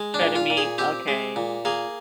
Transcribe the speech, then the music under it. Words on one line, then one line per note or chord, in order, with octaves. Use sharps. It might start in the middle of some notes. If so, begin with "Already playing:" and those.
Shredded meat? Okay.
Already playing: G#3
D4
A#2
F4
A#2
G#4
C4 G4
G#3
A#2
A#3 G#4